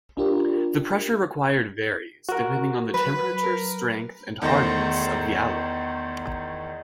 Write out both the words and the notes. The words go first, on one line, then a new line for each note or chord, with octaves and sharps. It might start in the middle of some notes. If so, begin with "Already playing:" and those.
The pressure required varies, depending on the temperature, strength, and hardness of the alloy.
D4 F4 G4 A#4
F#4 A#4
F#3 B4
A#4
E2 D#3 A3 C5 A#6